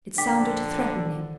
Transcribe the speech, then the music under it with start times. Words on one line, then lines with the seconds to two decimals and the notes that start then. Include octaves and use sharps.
It sounded threatening.
0.18 A#1 D3 F3 G5 D6 B6